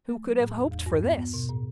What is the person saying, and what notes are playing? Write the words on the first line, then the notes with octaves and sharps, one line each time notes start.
Who could have hoped for this?
A3
F#3
A2
E2
E2
G2
B3
B3
B2
A2